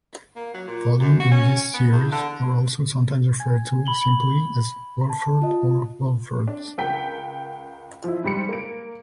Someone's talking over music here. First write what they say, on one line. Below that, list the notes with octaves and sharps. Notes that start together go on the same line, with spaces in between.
Volumes in this series are also sometimes referred to simply as Walford or Walford's.
A#3
F#3
A#2
F#2
F#4
C#4
B3
E2
D3
G#5 G#6
B5 F#7 G7
A5
F4 D#5
D4
C#2 A#4 F#5 G5 B6
F3 E4
G#2 G3 B5 C#7
A#3 D7